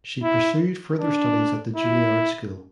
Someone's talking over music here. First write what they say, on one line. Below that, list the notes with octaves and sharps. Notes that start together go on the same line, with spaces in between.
She pursued further studies at the Juilliard School.
E4
D4
E4